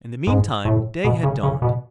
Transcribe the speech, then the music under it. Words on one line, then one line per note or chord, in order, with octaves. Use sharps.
In the meantime day had dawned.
G#2
A2
B2
C#3
C#3
B2